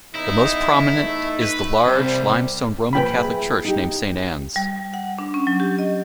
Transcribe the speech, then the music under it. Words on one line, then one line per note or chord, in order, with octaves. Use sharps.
The most prominent is the large limestone Roman Catholic church named Saint Anne's.
E2 D#4 E4
A3 D#4
B4
C2 G3 C4
A#2 F3 B4 G5 G#5 B5
E4 G#4
D#4 G4
G3
F#5
D4
C#4
F#3
G4
D#5